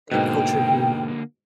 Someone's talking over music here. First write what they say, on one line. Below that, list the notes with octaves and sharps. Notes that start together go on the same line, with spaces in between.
that culture being
G#2 B2 D3 A#3 G5